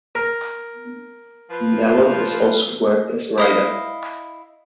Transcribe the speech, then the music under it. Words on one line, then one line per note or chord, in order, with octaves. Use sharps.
Nallon has also worked as a writer.
A#4
F3 F4 B4
E4 D#5 F5